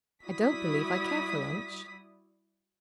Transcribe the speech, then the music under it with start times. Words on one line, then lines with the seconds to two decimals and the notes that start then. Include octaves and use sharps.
"I don't believe I care for lunch."
0.24 G3 E4 F#4 D5 D#6 B6